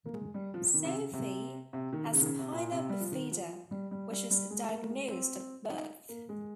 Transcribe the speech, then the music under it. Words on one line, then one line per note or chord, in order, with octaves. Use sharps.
Sophie has spina bifida, which was diagnosed at birth.
A#3
G#3
G3
F3
D#3
C3
C#3
C3
C3
D#3
D#3
C#3
D#3
C#3
C3
A#2
C3
G3
F3
D#3
F3
G3
G3
G3
G3
G#3
A#3
A#3
G#3
C4
D#4
A#3
G#3